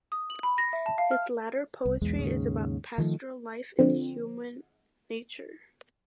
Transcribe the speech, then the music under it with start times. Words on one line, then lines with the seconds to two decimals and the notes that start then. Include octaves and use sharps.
His latter poetry is about pastoral life and human nature.
0.12 D#6
0.30 F#7
0.43 B5
0.58 A#6
0.73 E5
0.86 A5
0.98 F5
1.11 F6
1.85 C2
2.01 B1 E2 G#3
2.18 D#2 G#2 C#3
2.98 D#3 F3 A3
3.79 D3 F3 C4